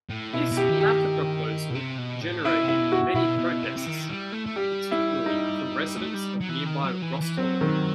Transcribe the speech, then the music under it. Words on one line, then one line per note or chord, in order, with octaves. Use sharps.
This latter proposal generated many protests, particularly from residents of nearby Rhostyllen.
A2
B2 E4
B2
G4
D#3
G4
D#3
B2
C3
B2
A2
B2 E4
C3
E4
B2
F#4
B2 E4
B2
C3
C3
D#3
G3
A3
A3
G3 G4
E4
D#4
A3
G3
F#3
E3
D#3
F#3
E3
E3
F#3 C4
D#3